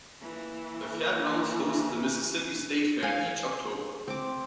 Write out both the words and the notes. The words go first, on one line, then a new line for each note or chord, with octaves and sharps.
The Fairgrounds hosts the Mississippi State Fair each October.
E3 A#3
F5 G#5
C4 D6